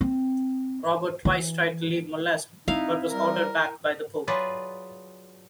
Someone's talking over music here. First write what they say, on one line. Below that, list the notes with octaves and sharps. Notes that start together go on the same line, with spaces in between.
Robert twice tried to leave Molesme but was ordered back by the Pope.
C4
E3
C4 D#4 E4 F5
G3 A#4
F#3 F4 G#4 B4 D5